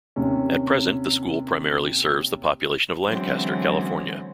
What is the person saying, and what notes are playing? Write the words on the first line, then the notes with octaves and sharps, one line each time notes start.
At present, the school primarily serves the population of Lancaster, California.
D#2 C3 C4 C#4
D3 E3 F#3 G#3 C4 C#4